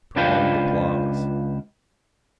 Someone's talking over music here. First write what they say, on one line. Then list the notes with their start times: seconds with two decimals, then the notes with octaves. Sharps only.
Prolonged applause.
0.16 C#2 D4 F4 B4 C5 G5